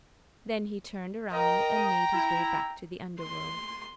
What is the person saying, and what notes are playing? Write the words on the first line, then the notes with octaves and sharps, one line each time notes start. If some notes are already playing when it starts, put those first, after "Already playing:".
Then he turned around and made his way back to the Underworld.
A#4 D#5 G5 A#5
E4
C6